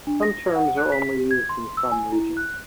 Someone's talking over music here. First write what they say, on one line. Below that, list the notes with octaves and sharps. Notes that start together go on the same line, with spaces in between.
Some terms are only used in some regions.
D4
A#6
F#5
F#6
B6
G4
G#6
C6
E6
G#5
E4
F#6